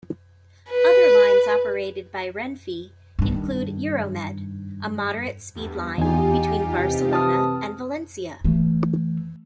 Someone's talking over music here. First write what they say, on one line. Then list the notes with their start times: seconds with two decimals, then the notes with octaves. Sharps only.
Other lines operated by Renfe include Euromed, a moderate-speed line between Barcelona and Valencia.
0.70 B4
3.19 G2 D#3
5.55 E2 G2
5.98 E2 D#4 F4 G4 G#5
6.77 C3 E3
7.13 A5 D#6 F6
8.44 E3 A3